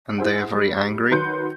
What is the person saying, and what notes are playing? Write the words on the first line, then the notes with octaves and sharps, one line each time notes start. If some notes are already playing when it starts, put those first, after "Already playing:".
And they are very angry?
E4 G#4 C5 F#5
G3
D#3 F#3 B4 C6 G6 C#7